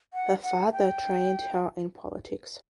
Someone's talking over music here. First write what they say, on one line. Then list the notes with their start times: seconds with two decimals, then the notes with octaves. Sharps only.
Her father trained her in politics.
0.14 F#5
0.43 F#5
0.72 G5